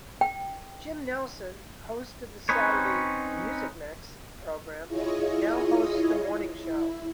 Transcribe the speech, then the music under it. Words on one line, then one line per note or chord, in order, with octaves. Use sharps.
Jim Nelson, host of the Saturday "Music Mix" program, now hosts the morning show.
G5
C4 C#4 D#4 B4 C#5
E4 F4 G#4 C#5 D#5
E4